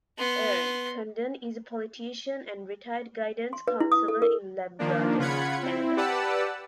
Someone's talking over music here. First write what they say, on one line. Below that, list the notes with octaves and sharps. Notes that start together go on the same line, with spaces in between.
"Ern" Condon is a politician and retired guidance counsellor in Labrador, Canada.
B3 C6
C6
B4
E4
D#6
A4
A#4
D#3 F3 A#3 D4
C#3 F4 F#5 B5 G#6 C#7
C4 E4
G4 B4 D5 F#5 A5 E6